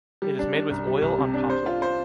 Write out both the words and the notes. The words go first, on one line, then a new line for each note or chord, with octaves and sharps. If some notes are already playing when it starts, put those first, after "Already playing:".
It is made with oil on poplar wood.
G3
D4
D4
C2
G3
C2
C3
D4
C5
F4
C5